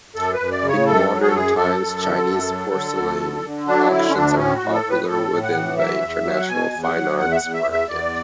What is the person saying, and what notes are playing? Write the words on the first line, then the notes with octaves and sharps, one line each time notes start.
In modern times, Chinese porcelain auctions are popular within the international fine arts market.
F#2 A4
B4
F#2
D5
C#3
C#5
F#2 A4
F#3
G#4
A4
F#2 G#4
F#2 A4
F#2
D3
F#2
F#3
D3
D2
D3
D3
F#3 D4
D3 E4
C#4
D2 D4
A2 C#4
F#4
A2
A4
A2
B4
A2 A4
A2
F#5
E3
F#3 E5
E2
F#3
F#5
B2 G#5
E2
F#5
F#3
E2 F#5
E5
F#5
E2
E5
E2
E5
E2 D5